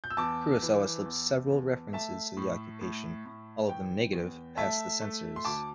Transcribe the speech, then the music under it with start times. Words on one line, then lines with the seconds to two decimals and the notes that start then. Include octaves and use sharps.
Kurosawa slipped several references to the occupation, all of them negative, past the censors.
0.04 G6
0.10 E6
0.17 E2 A5 D6
0.62 E3
1.05 E2
1.50 E2
1.93 A3 E5 A5
2.37 A2
2.81 A2
3.26 A2
3.69 E3 G5
4.13 E2
4.57 A3 E5 A5
5.01 A3
5.36 C6
5.45 D2 A5 D6